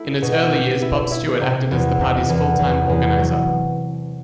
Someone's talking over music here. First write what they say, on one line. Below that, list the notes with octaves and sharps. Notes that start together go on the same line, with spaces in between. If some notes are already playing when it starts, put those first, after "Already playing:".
In its early years, Bob Stewart acted as the party's full-time organiser.
Already playing: A3 E4
B2
G4
E4
E4
C3
E2
C3
E2
E2
E2
F#3